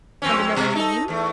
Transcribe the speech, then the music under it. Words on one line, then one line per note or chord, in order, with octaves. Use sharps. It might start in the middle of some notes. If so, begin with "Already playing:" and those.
"And another name?"
F2 C4 C#4
B2
D#4 A4
E2 A3